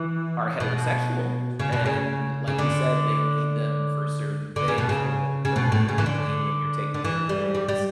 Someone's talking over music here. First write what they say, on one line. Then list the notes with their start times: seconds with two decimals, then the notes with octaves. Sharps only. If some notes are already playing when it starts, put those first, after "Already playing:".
are heterosexual, and like you said, they need them for certain things, whether that be cooking or cleaning or taking care of kids.
Already playing: E3
0.60 B2
1.59 C#3
1.73 B2
1.86 C#3
2.47 C#3
2.58 D3
4.56 D3
4.68 C#3
4.78 B2
4.89 C#3
5.45 C#3
5.56 B2
5.72 A2
5.89 C#3
5.98 E3
6.06 D3
6.94 D3
7.04 E3
7.29 G3
7.55 G3
7.68 G3